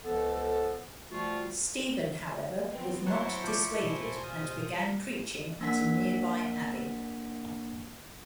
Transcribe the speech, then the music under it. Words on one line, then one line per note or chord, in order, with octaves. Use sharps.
Stephan, however, was not dissuaded, and began preaching at a nearby abbey.
C#2 F3 B3 A4
F3 G3 A3 F4 F#4
B3 C4
F#3 E4 C5 A5 C#6 C#7
F3 D5
B2 C5 G#5
F4 D#6 G6
A#3 D4 F#5 B6